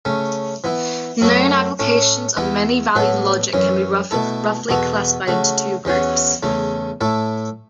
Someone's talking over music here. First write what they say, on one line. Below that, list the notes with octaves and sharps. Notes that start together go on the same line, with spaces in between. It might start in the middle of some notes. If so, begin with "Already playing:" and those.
Known applications of many-valued logic can be roughly classified into two groups.
C#3 A3 C#4
E3 B3 E4
F#2 F#3 A3 F#4 A4
A2 A3 C#4
E2 E3 B3 E4
A2 F#3 B3 A4
F#2 E3 C#4
B2 A3 E4 A4
E2 B2 B3 F#4 A4
C#3 A3 F#4
E2 E3 C#4 F#4
E2 C#3 A3
A2 A3 E4 A4